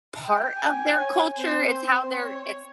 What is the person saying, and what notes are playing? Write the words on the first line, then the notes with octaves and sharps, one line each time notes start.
part of their culture, it's how they're it's
G5
G#5
C#5
C4 C5
C#5